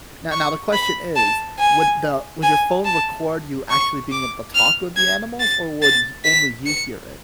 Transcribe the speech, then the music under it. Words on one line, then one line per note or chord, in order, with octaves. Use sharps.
now now the question is, would the would your phone record you actually being able to talk with the animals, or would you only you hear it?
C#6
B5
A5
G#5
G#5
A5
C#6
D6
F6
G#6
A6
A6
B6
C#7